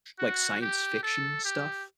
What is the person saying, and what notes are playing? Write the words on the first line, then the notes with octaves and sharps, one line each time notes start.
like, science fiction stuff?
F#4
G4
A4
G4